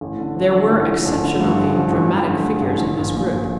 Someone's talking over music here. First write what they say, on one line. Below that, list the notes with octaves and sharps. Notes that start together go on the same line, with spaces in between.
There were exceptionally dramatic figures in this group.
A1
D3
F3
D3
A1
F3
A1
D3
G2
F3
A1
A1
G2
D3
G2
A1
A#1
A#1
A#2
A#1